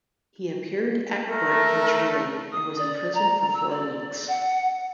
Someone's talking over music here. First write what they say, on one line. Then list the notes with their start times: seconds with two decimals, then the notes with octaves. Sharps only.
He appeared at court in Tralee and was imprisoned for four weeks.
1.28 A3 A#4
2.52 D#6
2.78 D5
3.15 A#5
3.53 E6
3.70 D5
4.28 F#5